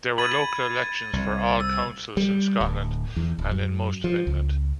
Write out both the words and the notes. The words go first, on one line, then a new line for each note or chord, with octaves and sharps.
There were local elections for all councils in Scotland and in most of England.
B5 G#6 A6 D#7
C2
E6
G3
D1
E2
D1
F#2
F3
C#2